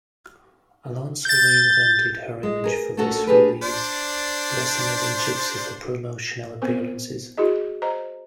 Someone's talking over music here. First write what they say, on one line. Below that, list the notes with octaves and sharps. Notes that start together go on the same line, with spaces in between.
Alonso reinvented her image for this release, dressing as a gypsy for promotional appearances.
G6 A6
G#3
G#4 A#4
A3 C#4 D4 F#4 A4 A#4
D4 G4 G#4 A#4 B4
D4 C5 D5
B3 C4 A#4 C5
E4 F#4 G#4 D#5
C5 D#5 A#5